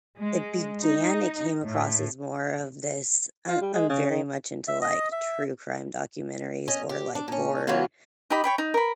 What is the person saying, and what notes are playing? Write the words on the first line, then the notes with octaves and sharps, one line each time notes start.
it began, it came across as more of this I I'm very much into, like, true crime documentaries or, like, horror
G#3
D#4
A2
F4
G3
G#3
C#3
D#3
E5
D#5
E5
C#4 D#5
G4
D4
A#2 C#4
E3 F#3 B3 C#4 F4 F#4
D#4 G4 D#5 B5
C#5 G5 B5
D#4
A#4 B5